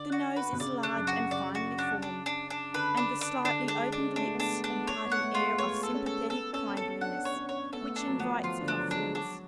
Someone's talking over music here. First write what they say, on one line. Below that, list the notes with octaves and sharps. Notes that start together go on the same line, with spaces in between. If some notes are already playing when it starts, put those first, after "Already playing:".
The nose is large and finely formed, and the slightly-opened lips impart an air of sympathetic kindliness which invites confidence.
Already playing: D3 D5
F#4
B4
B2
C#3 D5
D4
F#2
F#4
C#3 D5
F#4
D4
D4
D4
D4
D3 B4
D4
D4
D3 D4
G#3
D4
G#3
D4
G#3
A3 D4
B3 D4
D4
B3
C#5
B3
F#5
A3
F4
G#3
B3 C#5
A4
C#4
A4
B3 A4
C#4 A4
B3
C#4 A4
D4 F#5
C#5
C#4
C#5
B3 A4
A3
B3
D4
F#3
F3 B3
F#3
F3 F4
D3
D4
F#3
D4
G#3
F#3 D4